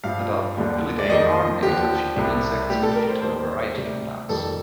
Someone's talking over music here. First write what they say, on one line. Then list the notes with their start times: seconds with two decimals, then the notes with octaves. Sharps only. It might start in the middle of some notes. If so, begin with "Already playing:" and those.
Adult Pompilidae are nectar-feeding insects and feed on a variety of plants.
0.04 G2 F3 F5
0.57 D#2 D3 G3
0.98 D5
1.09 F2 D#3 G3 D#5
1.62 D#2 D3 F3 G4
2.16 C2 C3 G3
2.70 A2 G3 G4
2.83 A4
2.96 A#4
3.09 C5
3.22 D#2 D#3 G3 C5
3.75 D2 C3 G3
4.29 F2 D#3 G3 A4